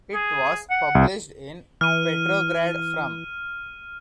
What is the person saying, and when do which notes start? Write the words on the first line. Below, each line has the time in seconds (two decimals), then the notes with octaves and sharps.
It was published in Petrograd from.
0.14 G#4
0.70 F#5
0.95 C2
1.81 E3 F6 D#7